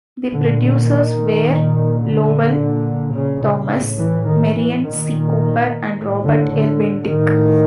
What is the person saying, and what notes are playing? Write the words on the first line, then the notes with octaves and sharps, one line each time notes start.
The producers were Lowell Thomas, Merian C. Cooper, and Robert L. Bendick.
A#2 D3
D3
D#3
A#2
D3
A#2
C#3
C#3
A2
E3
D#3
E3
A#2 D#3
A2
D3
D3
A2 D#3